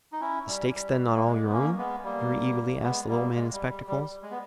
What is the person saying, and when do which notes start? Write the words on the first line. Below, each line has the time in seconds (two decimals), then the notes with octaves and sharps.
"The stake's then not all your own?" very eagerly asked the little man in spectacles.
0.12 D#4
0.21 C#4 E4
0.47 G3
0.74 G3
1.15 A#3
1.26 G#3
1.44 B3
1.51 A#3 C#4
1.78 G#3 B3
2.04 G3 A#3
2.82 G#3 B3
3.08 G3 A#3
3.35 G#3
3.53 G3
3.69 G3
3.87 G3
4.22 G#3
4.31 B3